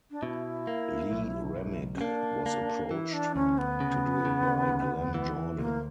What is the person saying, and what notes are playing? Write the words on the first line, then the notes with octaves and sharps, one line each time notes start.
Lee Remick was approached to do it by Glenn Jordan.
D4
B2 E4
A#3
B1
B1
C#4
A#3 D4
A#3
E3 E4
D4
D2 C#4
B3
C#3
C#3
D2
E3
D2 A#3